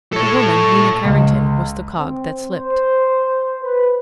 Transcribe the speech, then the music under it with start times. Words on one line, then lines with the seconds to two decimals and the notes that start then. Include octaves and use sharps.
The woman, Nina Carrington, was the cog that slipped.
0.13 A4 C#5
1.05 C#2
1.98 C4
2.50 C5
3.62 B4